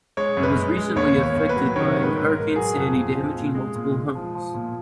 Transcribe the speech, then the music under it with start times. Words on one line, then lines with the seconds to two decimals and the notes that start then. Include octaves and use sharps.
It was recently affected by Hurricane Sandy, damaging multiple homes.
0.17 G#3 C#5
0.37 F#2
0.43 B4
0.56 G#3
0.77 G#3
0.96 D#2 C#5
1.16 D#2
1.23 C#5
1.36 D#2
1.49 B4
1.56 F#3
1.76 D#3 C#5
1.96 G#2
2.03 B4
2.16 G#2
2.30 A#4
2.36 G#2
2.56 F#3 G#4
2.76 F2
2.95 F2
3.15 F2
3.36 A#2
3.55 G#3
3.75 A#2
3.95 G#3
4.15 F3
4.35 F3
4.54 A#2